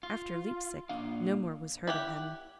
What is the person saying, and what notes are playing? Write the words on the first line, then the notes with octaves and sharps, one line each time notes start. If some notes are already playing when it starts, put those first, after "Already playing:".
After Leipsic no more was heard of him.
F4
A#2 A#3 D4 F5
E4 G4 F#5